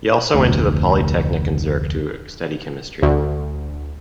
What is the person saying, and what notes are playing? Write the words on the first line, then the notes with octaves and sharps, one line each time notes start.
He also went to the Polytechnic in Zurich to study chemistry.
F1 D2
D2